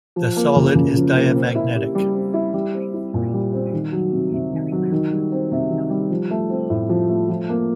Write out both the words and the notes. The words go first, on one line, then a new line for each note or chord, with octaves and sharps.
The solid is diamagnetic.
F3
A#3
C#3
C#3
F3
A#3
C4
E4
G4
G3
C4
E4
G3
C4
E4
A#2
G3
C4
D#3
F#3
C3
C3
D#3
F#3
D#3
G3
C4
C3
D#3
G3
F3
A3
C4
A2
F3
A3
F3
A#3